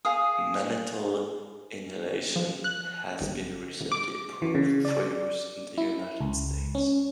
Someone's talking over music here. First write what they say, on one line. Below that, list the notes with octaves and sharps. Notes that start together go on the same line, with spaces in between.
Mannitol inhalation has been recently approved for use in the United States.
G#4 F5 D#6
F3
F#6
G1
D6
E3
C#3
D5
E4
C#2
C#4